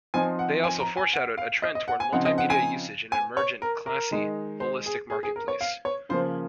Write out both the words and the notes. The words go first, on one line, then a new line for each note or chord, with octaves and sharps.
They also foreshadowed a trend toward multi-media usage in an emergent, classy, holistic marketplace.
F3 C4 D#4 G#5
F#5
G#5
A#5
G#5
F#5
F5
D#5
D#5
F#5
G#5
C#3 F3 C4 D#4 F#5
D#5
F#5
G#5
G#5
C#5
A#4
A#4
D#3 G#3 D#4
C5
G#4
G#4
G#4
A#4
C#5
F5
C#5
C#3 F3 A#3 C5